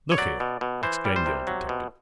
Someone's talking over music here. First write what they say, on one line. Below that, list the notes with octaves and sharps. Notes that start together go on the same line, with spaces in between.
"Look here!" exclaimed the old detective.
C#5
F#3 D5
B2
B2
E3 C5
G3
C5
C3
F#3
B2